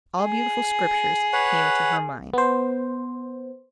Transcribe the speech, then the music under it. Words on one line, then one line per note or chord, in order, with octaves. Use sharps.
All beautiful scriptures came into her mind.
G#4
B4 C#5 F#5
B3 C5